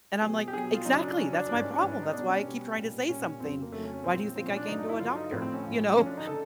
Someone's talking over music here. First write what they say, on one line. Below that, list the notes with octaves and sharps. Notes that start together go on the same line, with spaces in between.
and I'm, like, "Exactly, that's my problem that's why I keep trying to say something. Why do you think I came to a doctor?" You know?
B2 F#3 G#4
G4
B2 F#3 G#4
F4
F#2 C#3 F#3 D#4
D4
F#2 C#3 F#3 C#4
D4
G#2 E3 G3 D4
C#4
D4
G#2 E3 G3 C#4
D4
D#4
B2 G3 D4
C#4
B2 G3
A#2 G3
A#2 G3 C#4
F2 C#3 F#3 C4
A#3
F2 C#3 F#3 A3
C#4
C#4
A#2 F3 C4
C4
A#2 F3 C4
C#4
D4
G2 D3 F#3 D#4
D#4
E4
G2 D3 F#3 F4
D#4
A2 F3 C4
C4
C#4
A2 F3
F#2 D3 F3 C#4
D4
D#4
D3 A4